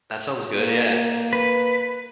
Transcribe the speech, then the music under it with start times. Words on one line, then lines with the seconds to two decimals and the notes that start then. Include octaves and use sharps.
That sounds good, yeah.
0.55 A#3
1.33 B4